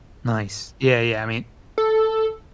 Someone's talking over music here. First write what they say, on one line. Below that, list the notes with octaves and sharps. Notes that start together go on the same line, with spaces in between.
Nice. Yeah, yeah, I mean,
A4